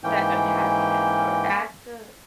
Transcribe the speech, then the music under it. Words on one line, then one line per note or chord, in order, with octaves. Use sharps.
that unhappiness or adds to,
G#2 E3 A#3 C#4 G5